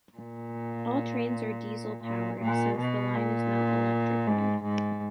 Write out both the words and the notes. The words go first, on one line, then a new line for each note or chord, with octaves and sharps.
All trains are diesel-powered, since the line is not electrified.
A#2
A#2
A#2
B2
A#2
G#2
G#2